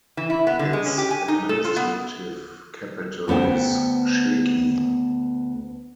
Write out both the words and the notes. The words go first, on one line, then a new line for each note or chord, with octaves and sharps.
Its administrative capital is Sheki.
E3
E4
B3
D3
G#3
C#4
G4
G#5
D#4
A4
F4
B3
D2 B3 C5 F#5 G5